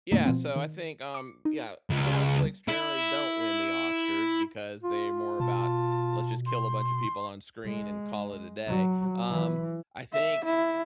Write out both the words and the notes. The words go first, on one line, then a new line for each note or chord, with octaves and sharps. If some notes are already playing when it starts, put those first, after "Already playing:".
Yeah, so I think, um, yeah, horror flicks generally don't win the Oscars because they're more about, "Let's just kill a bunch of people on screen and call it a day." Um, I think
F#2 B2 D#3 A3 A#3 D#4
B2 F3 C4
D#3
D6 C#7
D#4
C#2
E4
F4
B2 A5
C6
G#3
F#3
E3
E5
E4